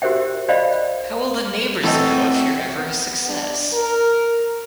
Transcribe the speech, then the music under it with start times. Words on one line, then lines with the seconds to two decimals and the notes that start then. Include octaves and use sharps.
How will the neighbors know if you're ever a success?
0.02 F#4 G4 A#4 C5 E5 G5
0.48 C5 D5 D#5 F5 G5 B5
1.84 E3 F#3 A3 C4 A4 D#5 G5
2.77 B3
3.28 D4
3.74 A#4